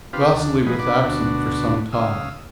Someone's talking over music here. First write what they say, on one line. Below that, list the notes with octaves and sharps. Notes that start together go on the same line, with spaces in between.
Vasily was absent for some time.
C4 D4 F4 G4 B4 F5
D2 D3
F3 F#3 G#4 B4 D#5
D4 B4 F#5 D6
D2 B2 D4 F#4
C#3 F5 D#6 E6